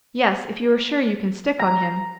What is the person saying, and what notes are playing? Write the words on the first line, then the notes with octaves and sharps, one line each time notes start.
"Yes, if you are sure you can stick on him."
A#5